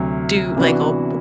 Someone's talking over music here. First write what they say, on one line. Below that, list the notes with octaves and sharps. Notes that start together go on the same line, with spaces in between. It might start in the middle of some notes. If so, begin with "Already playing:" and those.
do, like, o b
Already playing: D2 C3 F#3
C3 E3 B3 D4 F#4